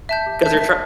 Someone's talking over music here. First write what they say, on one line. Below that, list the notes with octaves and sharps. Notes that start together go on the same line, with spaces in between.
'Cause you're, tr
E5 A5 G6
G4
E5 A5 G6
E5